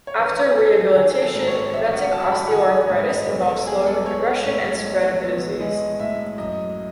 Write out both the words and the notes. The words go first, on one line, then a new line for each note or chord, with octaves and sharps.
After rehabilitation, preventing osteoarthritis involves slowing the progression and spread of the disease.
C#5
A1 B4
G#4
F#3 A4
D#3 G#4
A4
G#2
C#5
A1 E5
F#5
F#3 A5
B5
F#5
D#3 G#5
D#6
G#2 E5
D#5
B1 B4
A4
B3 G#4
A4
G#3 C#5
A2
B1
B3
G#3 D#5
A2 E5
F#2 D#5